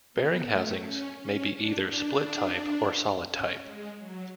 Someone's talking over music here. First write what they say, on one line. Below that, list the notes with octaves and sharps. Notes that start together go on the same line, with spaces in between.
Bearing housings may be either split type or solid type.
B3
A3
C#4
C#4
D4
D4
C#4
G#3
F#3